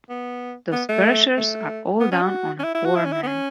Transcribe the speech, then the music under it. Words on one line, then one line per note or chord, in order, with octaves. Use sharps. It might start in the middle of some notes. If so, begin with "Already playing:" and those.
Those perishers are all down on a poor man.
B3
B3
A3
A3
B3
C#4
F#4
C#4
E4
E4
F#4
E4
C#4
E4
B3
C#4